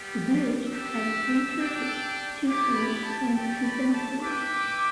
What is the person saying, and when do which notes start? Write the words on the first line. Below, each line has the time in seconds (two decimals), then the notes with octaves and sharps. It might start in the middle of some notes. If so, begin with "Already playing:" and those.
The Village had three churches, two schools, and two cemeteries.
Already playing: G3 B3 G4
0.71 B3 D4 G4 E6
1.59 D4 G4 D5 G5
2.47 B3 E4 G4 D5 D6
2.76 B5
3.06 A5
3.35 A3 G4 D5 G5
3.64 B5
3.94 A5
4.23 E4 B4 E5 G5 D6
4.52 D6